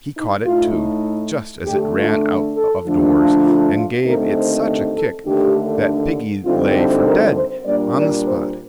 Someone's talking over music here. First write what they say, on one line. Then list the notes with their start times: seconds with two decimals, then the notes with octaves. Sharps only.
He caught it, too, just as it ran out of doors, and gave it such a kick that piggy lay for dead on the spot.
0.14 D#4
0.45 A2 A3 D#4 F4
1.65 D3 A3 D4 G4
1.95 F4
2.54 A4
2.85 D3 F3 A3 D4
3.15 F4
3.45 F4
3.75 F4
4.05 D#2 D3 A3 C4 D#4 A#4
4.34 C5
4.94 A4
5.24 D#2 D3 A3 D4 G4
6.45 D2 D3 G3 C4 D#4 F4
6.75 A4
7.05 A#4
7.35 C5
7.65 A#2 G3 A#3 D4 D5
7.95 D5
8.25 C5